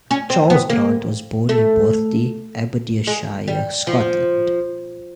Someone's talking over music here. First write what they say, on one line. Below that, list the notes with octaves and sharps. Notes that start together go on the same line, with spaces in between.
Charles Grant was born in Bourtie, Aberdeenshire, Scotland.
C#4
C4
B3
A#3
A3
G#3
G3
F3